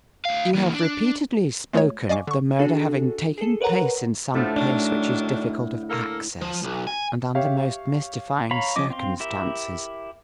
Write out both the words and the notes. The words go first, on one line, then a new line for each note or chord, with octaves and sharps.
You have repeatedly spoken of the murder having taken place in some place which is difficult of access and under most mystifying circumstances.
D2 F5
E3 A#3
D4
G#3 A3 F4 G#4 C#5
D5 D#5 F5 G#5 C#6 D6
D3 C#6
D4 F#4 G#4 A4
G#4 A4
A#4 B4 C#5 F#5 A#5
D2 A2 D3 F3 A3
D#3 F#3 D4
A#3 A4 A#4
F3
B1
G#5
G4 C#5 E5 F5 G5
C#5 F5 A#5 B5
F3 C#4 D#5 D6
C4 F5 C6
E4 G4 A#4 E5